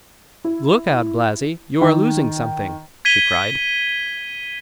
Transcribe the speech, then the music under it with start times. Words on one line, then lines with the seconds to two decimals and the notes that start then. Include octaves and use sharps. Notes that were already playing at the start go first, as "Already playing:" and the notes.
"Look out, Blasi, you are losing something," she cried.
0.45 E4
1.81 D#3
3.05 G#6 B6 D#7 G7